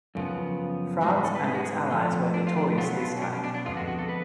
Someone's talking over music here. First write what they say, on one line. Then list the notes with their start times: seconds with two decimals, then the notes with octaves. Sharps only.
France and its allies were victorious this time.
0.15 F#2 C#3 F3 B3
1.03 G#2 G#3 B3 F#4
1.25 A4
1.35 B4
1.47 G#4
1.55 F#4
1.64 G#4
1.90 F2 F3 A3
2.34 D4
2.47 F4
2.57 D4
2.78 B2 F#3 B3 F4
3.00 F4
3.17 C#4
3.22 D4
3.33 C#4
3.44 D4
3.54 D4
3.65 F2 D3 G#3 B3 F4
3.77 F#4
3.88 F#4
3.99 A4
4.09 B4